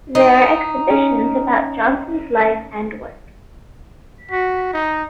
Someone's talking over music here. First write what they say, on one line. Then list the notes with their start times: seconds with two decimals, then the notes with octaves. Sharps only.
There are exhibitions about Johnson's life and work.
0.15 D#4
0.90 C#4
4.31 F#4
4.74 D#4